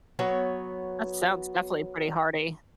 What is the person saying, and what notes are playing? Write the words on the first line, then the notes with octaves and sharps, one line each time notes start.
that sounds definitely pretty hearty.
F#3 B3 C#5